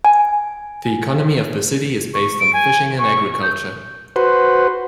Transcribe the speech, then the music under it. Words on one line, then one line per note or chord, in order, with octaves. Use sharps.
The economy of the city is based on fishing and agriculture.
G#5
C#6
D7
G#5
C#6
G6
F#4 B4 C5